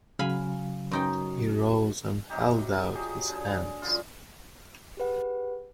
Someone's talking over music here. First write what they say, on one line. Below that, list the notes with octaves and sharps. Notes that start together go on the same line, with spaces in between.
He rose and held out his hands.
C#3 F#3 F5 G#5 B5
F#2 D#4 G5
C3 F#3 D#4 G4
F#3 G4 G#4 D#5
D3 G#4
F#2 D3 F4
G4 G#4 B4 F#5